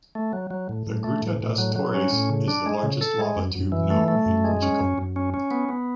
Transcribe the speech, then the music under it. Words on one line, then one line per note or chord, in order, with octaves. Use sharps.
The Gruta das Torres is the largest lava tube known in Portugal.
A3
F#3
F#3
A2
A2
A3
A2
A2
F#3
F#3
C#4
A2
C#3
D4
G#3
C#3
A4
G#3
F#2
F#2
E3
A3
A3
F#2
G#3
C#4
F#2
F#2
C#4
C#4
B3
B3